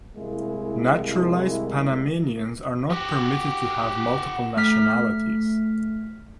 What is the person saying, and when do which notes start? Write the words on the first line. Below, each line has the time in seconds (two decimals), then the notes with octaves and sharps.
Naturalized Panamanians are not permitted to have multiple nationalities.
0.16 C2 G#3 A#3 E4
2.90 F#4 G4
4.57 A3 F6 B6